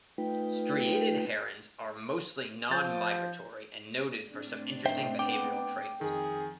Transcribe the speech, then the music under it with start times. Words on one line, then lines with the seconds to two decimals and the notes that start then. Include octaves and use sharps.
Striated herons are mostly non-migratory and noted for some interesting behavioral traits.
0.18 A3 D#4 F4 B4 G5
2.71 F3 G6 A6
4.29 A2 C4 D4
4.86 D#3 C5 E5 G5
5.19 B3 G5 D6
6.01 F2 D#3 G#4